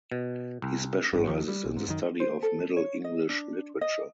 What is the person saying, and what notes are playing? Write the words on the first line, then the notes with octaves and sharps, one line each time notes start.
He specializes in the study of Middle English literature.
B2
C2
G#1 G2
D#2 D#3 F3
G3
B1
G#2
F#2 D#3
C5
A4
C#5
D#5
D4
D#5